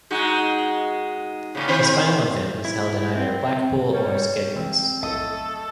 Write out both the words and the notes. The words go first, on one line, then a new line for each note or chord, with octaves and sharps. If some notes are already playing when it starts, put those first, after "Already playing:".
This final event was held in either Blackpool or Skegness.
G#3 D#4 F#4
A2 C#3
D#3 C4 C5
E4
C4
G3 C#5
C3 E3 G#3 C4
B1 F2 A2 A3 A4 D#5